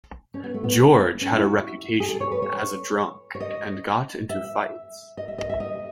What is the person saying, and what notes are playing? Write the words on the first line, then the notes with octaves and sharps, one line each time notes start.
George had a reputation as a drunk and got into fights.
C#4
B3
A3
B3
C#4
E4
F#4
G#4
A4
C#5
B4
C#5
C#5
D#5
E5
D#5
E5
D#5
E5
D#5